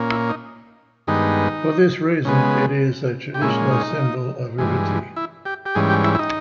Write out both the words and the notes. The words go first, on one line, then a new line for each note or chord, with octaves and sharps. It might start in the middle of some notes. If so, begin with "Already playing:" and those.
For this reason it is a traditional symbol of liberty.
Already playing: A#2 A#3 C#4
E4
D#4
G2 D#3 G#3 B3 D#4
C#3 G#3 B3
G4
A#2 G#3 C#4 E4
D#4
G2 E3 G#3
E4
G4
G4
G#2 E3 G3 C#4 G#4
G4
E4
E4
D#4